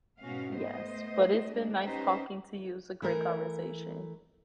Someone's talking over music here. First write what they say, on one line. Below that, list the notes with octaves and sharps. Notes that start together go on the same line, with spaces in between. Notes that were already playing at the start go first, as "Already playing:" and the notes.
Yes, but it's been nice talking to you, it was a great conversation.
G#2 B2 C#4 F#4 F5
A3 B3 C5 D#5
G#3 A#3 D4
C#4 D#4 G4 B4 C5
E3 A3 A#4